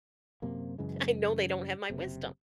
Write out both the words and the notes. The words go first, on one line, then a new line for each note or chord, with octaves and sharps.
I know they don't have my wisdom.
F#2 C3 A#3
F#2 C#3 E3 G#3
F#1 C3